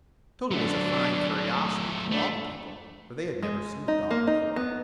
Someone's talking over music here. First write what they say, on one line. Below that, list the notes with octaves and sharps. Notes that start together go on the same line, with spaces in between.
Toto was a fine curiosity to all the people, for they had never seen a dog before.
F#3 A3 D4
A3 D4
G#3
D#4
A#3
D#4
B3